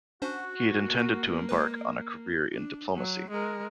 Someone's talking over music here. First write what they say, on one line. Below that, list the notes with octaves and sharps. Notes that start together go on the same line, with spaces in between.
He had intended to embark on a career in diplomacy.
C#4 D4 F#4 C5
A#3
G#3 B4
D4
F#3
G#3 A#4